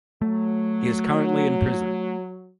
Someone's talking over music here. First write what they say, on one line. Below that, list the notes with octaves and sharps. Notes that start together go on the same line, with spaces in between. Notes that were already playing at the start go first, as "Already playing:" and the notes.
He is currently in prison.
F#3 A3